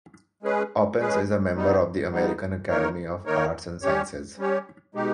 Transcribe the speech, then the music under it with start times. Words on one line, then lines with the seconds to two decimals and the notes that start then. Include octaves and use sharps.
Oppens is a member of the American Academy of Arts and Sciences.
0.43 G#3 C#4 G#4 B4
0.99 G#3 C#4 G#4 B4
1.56 G2 G3 B3 D#4
2.12 G2 G3 B3 D#4
2.69 D#3 A#3 D#4 A#4 C#5
3.26 D#3 A#3 D#4 A#4 C#5
3.82 G3 C#4 G4 C#5
4.38 G3 C#4 G4 C#5
4.95 B2 G#3 D#4 G4